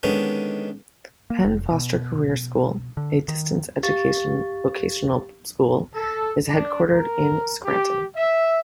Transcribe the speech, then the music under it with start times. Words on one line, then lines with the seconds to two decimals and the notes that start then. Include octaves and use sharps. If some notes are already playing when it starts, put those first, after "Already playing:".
Penn Foster Career School, a distance education vocational school, is headquartered in Scranton.
0.03 D3 D#3 G#3 B3 C#4
1.30 A#3
1.44 F1
1.71 B2
2.97 D3
3.28 D#3
3.83 G4 F5 C#6 A6
5.94 A4
6.48 D4
6.93 A#4
7.64 G4
8.16 E5